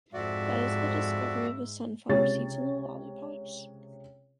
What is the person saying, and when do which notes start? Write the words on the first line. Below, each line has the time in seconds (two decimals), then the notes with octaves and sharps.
That is the discovery of the sunflower seeds and the lollypops.
0.14 F2 G#2 F#4 D5 E5
2.09 C#2 C3 C#5 A6